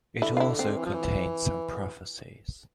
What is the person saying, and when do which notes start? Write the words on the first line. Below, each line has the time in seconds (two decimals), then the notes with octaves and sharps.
It also contains some prophecies.
0.22 D3 E4
0.37 F4
0.40 E4
0.59 C4
0.77 E3
0.85 F3
0.94 E3